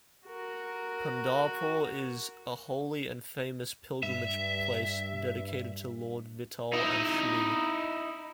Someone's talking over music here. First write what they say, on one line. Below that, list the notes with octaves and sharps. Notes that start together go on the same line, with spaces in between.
Pandharpur is a holy and famous pilgrimage place dedicated to Lord Vitthal and Shri.
F#4 A#4
G2 E5
D#4 E4